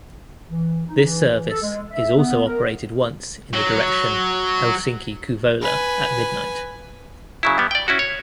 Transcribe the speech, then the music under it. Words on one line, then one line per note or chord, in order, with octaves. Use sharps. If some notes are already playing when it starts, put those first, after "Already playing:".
This service is also operated once in the direction Helsinki–Kouvola at midnight.
E3
D#4
E3
E3
A4
G#3
E5
B3
A#4
F#3
B4 G#5
C#3 F#3 E4
G3 B3
D5 G5
C#4 E4 F#4
C#5